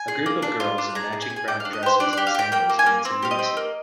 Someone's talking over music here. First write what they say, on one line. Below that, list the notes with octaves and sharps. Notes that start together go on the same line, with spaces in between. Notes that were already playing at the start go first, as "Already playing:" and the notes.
A group of girls in matching brown dresses and sandals dance in unison.
Already playing: G#5
G#4
A#3
D4
F4
D4
G#4 A#5
G#4
G#5
G#4
G#5
D4 G5
F5
D4
D#5
G4 C5
D4 D5
D5
G4
F5
G4 G5
A#3 G5
A#3
G#5
A#3
C4
G4 F5
D#5
C4
A#3